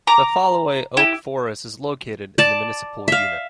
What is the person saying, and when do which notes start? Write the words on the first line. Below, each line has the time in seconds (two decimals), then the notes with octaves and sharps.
The Foloi oak forest is located in the municipal unit.
0.07 A#5 D6
0.97 E4 G4
2.38 D5 A5
3.08 E5 F5